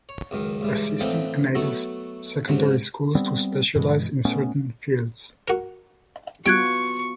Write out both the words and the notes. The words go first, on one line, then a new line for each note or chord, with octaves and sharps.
The system enables secondary schools to specialise in certain fields.
C#5
C#2 F#2 D#3
C#2 G2 E3
A2 D3 E3 F3 C4 D#4
F#3 A3 B3 F#4 A4
G#2 C3 F#3
G3 B3 C4
G2 B2 E3 G#3
A#2 A3 B3 C#4
F#4 A#4
G3 B3 F4 F#4 C#6 F#6 G#6 D7